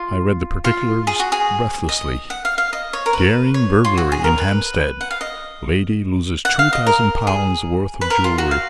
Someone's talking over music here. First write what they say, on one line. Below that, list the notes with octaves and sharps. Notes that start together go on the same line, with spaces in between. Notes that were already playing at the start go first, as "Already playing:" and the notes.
I read the particulars breathlessly: DARING BURGLARY IN HAMPSTEAD--LADY LOSES TWO THOUSAND POUNDS' WORTH OF JEWELRY.
Already playing: F4
F4
G#4
F#4
G#4
D#5
F#5
F5
F5
D#5
C#5
A#4
B4
C#5
F4
F#4
G#4
A#4
B4
F#5
F5
D#5
F#5
F5
D#5
A#4
G#4
B4
A#4
F4
F#4
F5